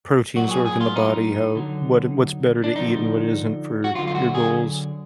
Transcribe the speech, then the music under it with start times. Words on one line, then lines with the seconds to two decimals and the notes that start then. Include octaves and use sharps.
proteins work in the body, how what what's better to eat and what isn't for your goals,
0.36 A#2 F#3 F#4
0.51 G#4
0.66 G#4
0.81 F4
0.96 D#4
1.55 D3 F#3
2.64 D4
2.75 D3 F3 D#4
3.84 F#4
3.95 D3 F#3 F4
4.07 F4
4.15 F#4
4.35 G#4